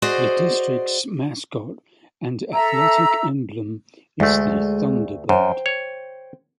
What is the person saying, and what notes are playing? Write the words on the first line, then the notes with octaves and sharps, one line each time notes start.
The district's mascot and athletic emblem is the Thunderbird.
F#4 G#4 C5 D5 D#5
A4 E5 A#5 E6
D2 G#3 A3
F#2 C5 G5
C#5